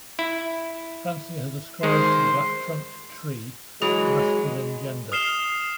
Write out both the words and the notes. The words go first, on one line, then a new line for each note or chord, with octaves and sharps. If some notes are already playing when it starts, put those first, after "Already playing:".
Fancy has ascribed to the black-trunked tree a masculine gender.
E4
D#3 G#3 C5
E3 F#3 G#3 G#4
D#6 F6 C7 E7 G7